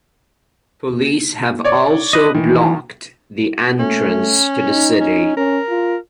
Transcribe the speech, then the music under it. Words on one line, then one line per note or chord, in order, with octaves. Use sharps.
Police have also blocked the entrance to the city.
C#5 D5
B4 D#5
D#3 E3
A3 C#4
D#4
C#4
C#4 A#4
F4